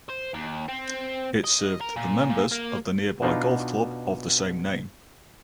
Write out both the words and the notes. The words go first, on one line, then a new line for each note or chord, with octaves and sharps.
It served the members of the nearby golf club of the same name.
C5
D#2
C4
D#5
A#4
A#2
A#2
A#3
B2 D4 D#4 F4